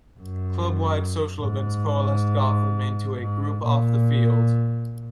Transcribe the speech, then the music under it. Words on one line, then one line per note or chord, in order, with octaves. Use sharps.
Club-wide social events coalesced Gotham into a group off the field.
F#2
G#2
G#2
A#2